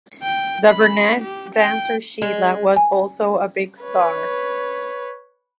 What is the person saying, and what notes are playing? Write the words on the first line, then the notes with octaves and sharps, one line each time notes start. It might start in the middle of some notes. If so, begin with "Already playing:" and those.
The brunette dancer, Scheila, was also a big star.
G5
B5
G4
G5
G#3
G#5
B4 C#5